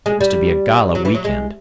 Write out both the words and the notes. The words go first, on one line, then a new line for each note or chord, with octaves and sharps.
It was to be a gala weekend.
G#3
G3
F#3
E3
F#3
G#3